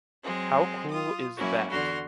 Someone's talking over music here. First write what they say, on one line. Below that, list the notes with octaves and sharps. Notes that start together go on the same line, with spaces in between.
How cool is that?
F#3 G#3 C4
F4 D#6
F#3 A#3 C#4 E4 F#4
E2 D3 F#4 C6 F6